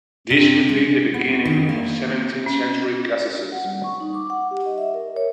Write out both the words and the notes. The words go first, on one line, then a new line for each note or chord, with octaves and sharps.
This would be the beginning of seventeenth century "classicism".
C3
G#3
B3
D#3
A#3
C#4
F#5
G3
C#6
D#4
D6
F#5
G4
D#5
E5
A#4
C#5